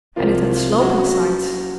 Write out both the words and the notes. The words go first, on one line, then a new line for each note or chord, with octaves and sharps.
And it had sloping sides.
C2 C3 F3 A#3 F4
F#3 C#4 F#4